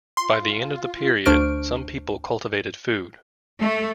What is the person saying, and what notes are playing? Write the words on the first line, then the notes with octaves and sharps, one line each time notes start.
By the end of the period, some people cultivated food.
F4 C6
D2 D4 C5 C#6 F6 D7
A3